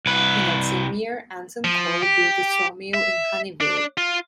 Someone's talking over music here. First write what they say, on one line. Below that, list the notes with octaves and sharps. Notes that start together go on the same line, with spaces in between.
In that same year Anson Call built a sawmill in Honeyville.
C2 B4
F3
G4
E5
D4
F4